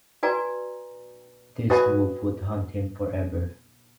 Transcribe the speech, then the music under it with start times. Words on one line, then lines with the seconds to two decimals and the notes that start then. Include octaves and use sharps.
This move would haunt him forever.
0.23 F#4 B4 D5 G#5 A#5
1.70 F#4 B4 D#5 G#5